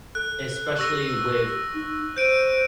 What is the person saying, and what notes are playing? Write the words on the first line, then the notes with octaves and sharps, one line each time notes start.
especially with
A4 F#6
G4 C#6 E6 A#6
D#4
C5 G6 D7 D#7